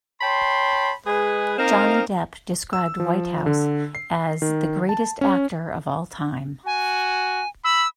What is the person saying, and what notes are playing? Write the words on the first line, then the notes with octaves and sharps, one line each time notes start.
Johnny Depp described Whitehouse as "the greatest actor of all time".
C#5 G5 A5 B5 C6
G#3 G#4 B4
A#3 C4 D#4 A#4 D#5 F5
E6
F3
D3
C7
D#3
A5
C#4
F#4 G#5
B5 E6